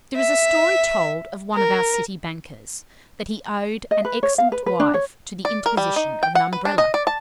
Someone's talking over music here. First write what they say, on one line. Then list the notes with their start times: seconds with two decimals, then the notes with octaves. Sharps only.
There is a story told of one of our City bankers, that he owed an excellent wife to the interposition of an Umbrella.
0.16 E5
1.55 A#4
3.91 D#5
4.05 B4
4.23 C#5
4.38 F5
4.52 B4
4.66 B4
4.80 D4
4.94 C#5
5.45 D5
5.66 A#4
5.77 G3
5.96 D#4
6.23 G5
6.35 F#5
6.53 B4
6.65 D4
6.78 D#5
6.94 D5
7.07 A5